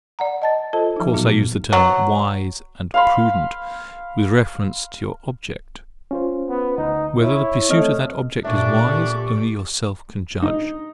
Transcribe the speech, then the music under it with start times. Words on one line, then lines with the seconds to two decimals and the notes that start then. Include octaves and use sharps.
Of course I use the terms "wise" and "prudent" with reference to your object. Whether the pursuit of that object is wise, only yourself can judge.
0.19 D5 F#5 A#5
0.42 D#5 A5 A6
0.73 F4 A4 C5 D#5 A5
0.96 F3 D#4
1.14 A#2 F#3 B3 D#4 F#4
1.73 F#3
2.94 F5 B5 C6
6.11 C#4 F4 C5
6.50 B3
6.78 D2 D#4
7.21 E4 C#5
7.69 A3 C4 D#5 F6
8.45 A#2 D4 G4 A4 D5 E5 C#6
10.42 D#4